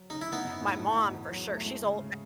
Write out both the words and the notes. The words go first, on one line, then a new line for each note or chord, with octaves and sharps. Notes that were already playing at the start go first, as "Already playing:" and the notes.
My mom, for sure, she's ol eh
Already playing: F#3
C#3 D#4
E4
C#3
B3 D#4
F#2
A2
A2
B1
E2
F#3
A3
G#3
C#3
C#3